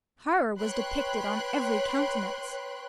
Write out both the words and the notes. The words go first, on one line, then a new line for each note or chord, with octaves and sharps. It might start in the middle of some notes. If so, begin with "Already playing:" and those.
Horror was depicted on every countenance.
B4 C#5 G5 B5 C6 F#6